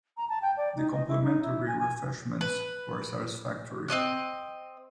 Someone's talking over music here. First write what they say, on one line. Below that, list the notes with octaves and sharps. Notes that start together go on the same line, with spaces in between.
The complimentary refreshments were satisfactory.
A#5
A5
G5
D5
D#4
D#5
E4
D#4
E4
G#5
G#5
B4
C4 C#4 D#5 F#6